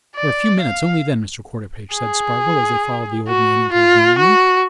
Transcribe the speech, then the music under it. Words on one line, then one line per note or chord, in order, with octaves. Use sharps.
"For a few minutes only then, Mr. Quarterpage," said Spargo as they followed the old man into his dining-room.
D5
F5
G#4
F#4
F4
F#4